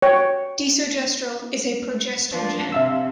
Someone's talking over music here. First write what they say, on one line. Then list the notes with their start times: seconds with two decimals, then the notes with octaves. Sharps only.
Desogestrel is a progestogen.
0.02 C#5 G5
2.31 F3 D4
2.72 C3 E5 F5 E6